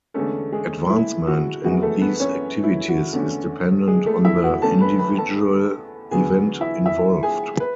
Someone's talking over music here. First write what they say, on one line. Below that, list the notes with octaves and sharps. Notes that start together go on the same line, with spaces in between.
Advancement in these activities is dependent on the individual event involved.
E2 D3 G#3 A3 C#4 A4
G#3 G#4
E4
F#4
F#2 E3 G#3 B3 F#4
A3 A4
B3 B4
C#4 C#5
E4
F#4
E2 D3 A3 C#4
G#3 G#4
A3 A4
E4 E5
F#4 F#5
E2 D3 A3 C#4 A4 A5
B4 B5
B4 B5
A4 A5
E2 D3 F#3 B3 G#4 G#5
E4 E5
E4 E5
G#4 G#5
B4